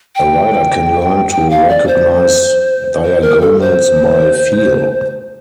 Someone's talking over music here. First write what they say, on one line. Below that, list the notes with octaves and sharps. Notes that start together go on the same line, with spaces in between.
A rider can learn to recognize diagonals by feel.
G5
G5
F5
D5
C5
C5
A#4
A4
C5